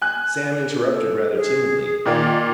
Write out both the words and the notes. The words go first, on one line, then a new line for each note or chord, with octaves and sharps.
Sam interrupted rather timidly.
G#5 F#6
A4
G#4
A#2 D#3 A#3 D5